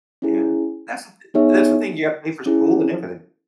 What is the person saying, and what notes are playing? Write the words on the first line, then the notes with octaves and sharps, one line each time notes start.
Yeah, that's the thin that's the thing, you gotta pay for school and everything.
C#4 E4 G#4
B3 D#4 G#4 C#5 E5
C#4 E4 G#4